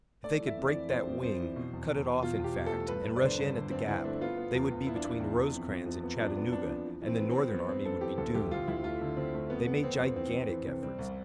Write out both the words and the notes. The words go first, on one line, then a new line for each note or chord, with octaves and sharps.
If they could break that wing, cut it off in fact, and rush in at the gap, they would be between Rosecrans and Chattanooga and the Northern army would be doomed. They made gigantic efforts.
A3 D5
E3
E5
F2
D5
E3
F2 C5
F2
F2 C5
E3
B2
E2
E2
E2
B2 F4
E2
G4
E2
A4
A3
G2 B4
G2
D5
D3 C5
G2
D3
G2 C4
D3 E4
A3 D4
B3 F4
B3
E2
E2
B3 E4
D4
B3 E4
E2
E2
F2
F2
F3
B3
F3 D4
B3
F2 D4
F3
E3
E3 C4
B3
C4
B3
F2 B3
F2 C4
F2 A4
E3 G4
D2 A4
D2 G4
D2 F4
D2 E4
A3 F4
D3
D3 C4
A3
F2 B3
F2 B3
F2 C4
F2
E3 C4
F2
E3
C3
G3 C4
C2